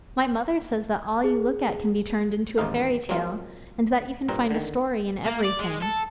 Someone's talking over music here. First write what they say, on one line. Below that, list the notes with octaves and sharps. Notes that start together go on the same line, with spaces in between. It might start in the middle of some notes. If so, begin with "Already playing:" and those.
"My mother says that all you look at can be turned into a fairy tale: and that you can find a story in everything."
G#4
A1 D#2 G#2 D#4 F5
F#3 G#3 A#3 C4 F4
G2 A#2 C4 A#5
D3 D#3
A#3
D5
G#3
A4